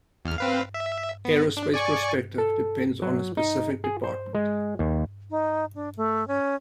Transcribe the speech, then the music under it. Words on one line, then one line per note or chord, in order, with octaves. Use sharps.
Aerospace prospective depends on a specific department.
E2 F6
C4 B4 F5
E5
B3
D4
D5 G#5 C#6
A4
F#3
D#4
G#4
C5
G#3
D#2
D#4
D4
A3
C#4